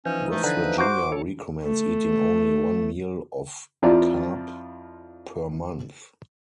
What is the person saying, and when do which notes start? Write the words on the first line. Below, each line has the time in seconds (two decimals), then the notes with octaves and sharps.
West Virginia recommends eating only one meal of carp per month.
0.06 E3 F3 C#4 D#4
0.32 A3
0.43 D3 B4
0.78 F#4 C5 D6
1.12 A4 C#5
1.63 A3
3.82 F2 F3 E4 F4 D5 A#5